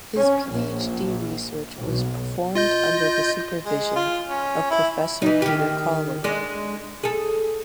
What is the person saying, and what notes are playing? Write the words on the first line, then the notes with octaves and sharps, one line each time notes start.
His PhD research was performed under the supervision of Professor Peter Cawley.
C#4
A#1
B1
F4 D#5 G6
G#3
F4
C#4
E4
E3 D#4
D#3 G4
G#3 D4
G#4 A4